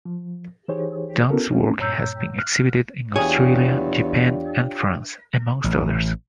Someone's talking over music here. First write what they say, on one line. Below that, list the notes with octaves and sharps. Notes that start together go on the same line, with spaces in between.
Done's work has been exhibited in Australia, Japan, and France, amongst others.
F3
E3 D#4 G4 G#4 C5 C#5
B3 C#4 E4 F#4 A4 A#4
A3 C4 C#4 D#4
G2 A#2 C#5 A#5 E6 G6
F6 F#6
E2 D4 F4 G4 G#4 C#5
A1